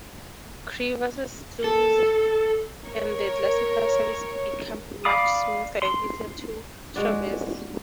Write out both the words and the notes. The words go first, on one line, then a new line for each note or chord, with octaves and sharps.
Crevasses close and the glacier surface becomes much smoother and easier to traverse.
A4
A#4 C#5
D5 F5 B5 D6 D#6
C6
G#3 F#4 D5